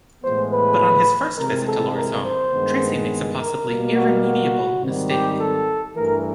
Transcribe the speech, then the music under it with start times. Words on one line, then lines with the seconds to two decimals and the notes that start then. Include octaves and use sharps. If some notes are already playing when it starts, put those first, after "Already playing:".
But on his first visit to Laura's home, Tracy makes a possibly irremediable mistake.
0.23 A2 E3 G#3 B3 C5
0.51 B4
1.38 C3 E3 G#3 A#4
1.66 A4
1.95 A#4
2.24 C5
2.52 G2 D#3 G#3 B3
3.37 A#4
3.66 B2 G3 A#3
3.95 F#4
4.24 F#4
4.81 G#2 D#3 G3 C4
5.10 G4
5.39 A4
5.96 G2 E3 A3 A#4